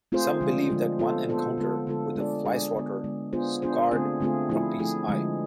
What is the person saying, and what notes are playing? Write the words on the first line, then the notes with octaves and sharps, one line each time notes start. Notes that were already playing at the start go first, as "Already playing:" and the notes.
Some believe that one encounter with the "flyswatter" scarred Grumpy's eye.
A3 C4 F4 G#4 C5
D3 F3 G#3 D4
D3 F3 G#3 D4
B3 F4 A4 C5
B3 F4 A4 C5
D3 G#3 B3 F4 A4
D3 G#3 B3 F4 A4
G#3 D4 G#4 D5
G#3 D4 G#4 D5
D3 G#3 B3
D3 G#3 B3
B3 D4 F4 G#4 C5
B3 D4 F4 G#4 C5
D3 A3 C4 F4 G#4
D3 A3 C4 F4 G#4
F3 A3 E4 G#4
F3 A3 E4 G#4
D3 F3 G#3